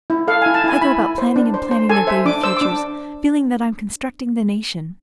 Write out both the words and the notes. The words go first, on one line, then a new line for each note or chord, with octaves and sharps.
I go about planning and planning their baby futures, feeling that I'm constructing the nation.
E4
A4 F5
G#5
E4
A5
E4 G#5
E4 B5
E4
C5
D4
C5
C5
A4 G#5
C5 E5
D4 D6
C5 E6
D4 D6